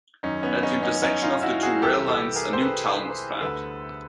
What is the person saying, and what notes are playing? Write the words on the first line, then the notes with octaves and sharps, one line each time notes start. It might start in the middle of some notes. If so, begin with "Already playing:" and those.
At the intersection of the two rail lines, a new town was planned.
F#2 D#3 C#4 D#4
B3 C#4
C#4 D#4
C#4 D#4
C#4 D#4
D#4 F4
E4 F#4
F#4 G#4
C2 C3 E3 G4 A4
A4 B4
G#4 A#4
C5
A4 B4
D2 D3 A4 B4